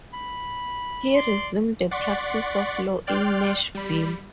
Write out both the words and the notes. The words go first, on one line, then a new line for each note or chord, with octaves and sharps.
He resumed the practice of law in Nashville.
B5
D5 C6
D5 F#5 C6 C#6 A6 B6
D5 G5 C6 F6 F#6 A6
G3 B5